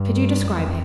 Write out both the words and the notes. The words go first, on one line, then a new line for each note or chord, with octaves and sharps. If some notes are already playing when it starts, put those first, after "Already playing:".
Could you describe him?
Already playing: G2
F2